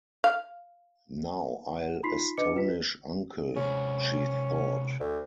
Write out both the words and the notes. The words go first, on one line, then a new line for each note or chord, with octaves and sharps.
"Now I'll astonish uncle," she thought.
F5
F#5
D#4 F4 B5 C6 B6 C7
D4 B4 D#5 D6 C#7
F4 B4 B6
C3 G#3 C#4 G#4
D2